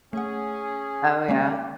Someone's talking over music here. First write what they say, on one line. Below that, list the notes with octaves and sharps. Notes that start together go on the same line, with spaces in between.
Oh, yeah.
A3 C#4 G#4 F#5
G#3 A#3 C#4 G4